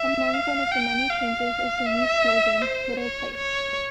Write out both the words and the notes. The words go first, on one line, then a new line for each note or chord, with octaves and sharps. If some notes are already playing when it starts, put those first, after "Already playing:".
Among one of the many changes is their new slogan, little place.
Already playing: E5
F5
G5
F5
E5
C5
C#5
C#5